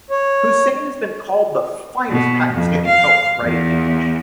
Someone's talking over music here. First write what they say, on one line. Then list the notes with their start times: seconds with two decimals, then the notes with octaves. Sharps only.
Husain has been called the finest Pakistani poet writing in English.
0.11 C#5
2.09 B2
2.52 F2
2.86 F5
3.42 E2